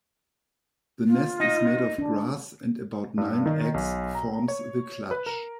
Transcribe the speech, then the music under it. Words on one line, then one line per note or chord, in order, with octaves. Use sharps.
The nest is made of grass and about nine eggs forms the clutch.
F4
D#4
D4
G2
D#3
B1
A#5
C#5
B4
A#4